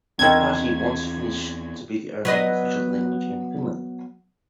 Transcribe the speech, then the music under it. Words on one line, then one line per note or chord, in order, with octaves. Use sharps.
The party wants Finnish to be the only official language in Finland.
E2 D3 D#3 C4 G#6
F#3 B3 D#5